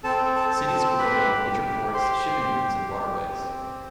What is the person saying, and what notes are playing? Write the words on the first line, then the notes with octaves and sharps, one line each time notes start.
Cities grew along major ports, shipping routes, and waterways.
C4 A4 A5
A4 A5
C4
A4 A5
G4 B4 B5
G4
G4 C5 C6
G4
G4
C4